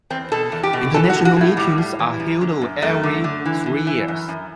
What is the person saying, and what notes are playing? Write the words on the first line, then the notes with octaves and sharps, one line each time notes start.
International meetings are held every three years.
E2 C4
B2 A4
E2
G4
B2
E3 A4
F#4
A2
F#4
A2 E4
A2 G3
A2
E3
F#2
D3
F#2
F#2 A3
D3
D3
E3
E3
E3
F#2
F#2